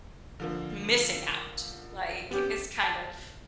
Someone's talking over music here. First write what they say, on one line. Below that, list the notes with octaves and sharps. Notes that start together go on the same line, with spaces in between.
missing out, like, it's kind of
D3 F3 A#3
B3 C#4 G4
A5